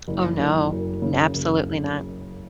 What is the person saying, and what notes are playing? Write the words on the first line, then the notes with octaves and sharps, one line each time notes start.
Oh, no, n absolutely not.
F#1
F#1
F#2
C#3
F#1